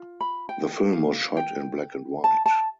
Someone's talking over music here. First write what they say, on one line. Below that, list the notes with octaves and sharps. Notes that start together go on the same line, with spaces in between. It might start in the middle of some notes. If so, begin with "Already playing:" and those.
The film was shot in black and white.
Already playing: F4
B5
G5
F5
G5
A5
A5